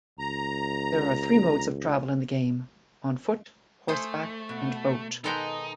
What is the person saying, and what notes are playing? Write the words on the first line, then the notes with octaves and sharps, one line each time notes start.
There are three modes of travel in the game: on foot, horseback, and boat.
C#2 A#5
A3 G#4 C5
B2
D#3 G#3 D#4 A4 B4 D#5 G5